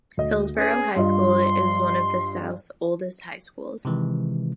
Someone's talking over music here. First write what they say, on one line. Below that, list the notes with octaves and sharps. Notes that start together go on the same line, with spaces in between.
Hillsborough High School is one of the South's oldest high schools.
D2 D#5
C#4 G#4 B4
G2 F4 D#5 C6
C3 D#3 E3 G#3